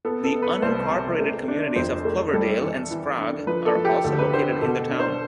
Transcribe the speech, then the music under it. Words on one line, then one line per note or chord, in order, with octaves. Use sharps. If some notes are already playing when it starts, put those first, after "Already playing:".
The unincorporated communities of Cloverdale and Sprague are also located in the town.
B3 A4
A4
B3
B4
C2 C5
C3
A3
D4
F2 C5
A3
G3 A4
E3
E3
D4
F3 B4
A4
F3
G4
D2 A4
B4
D3 C5
B2 A4
D4
C5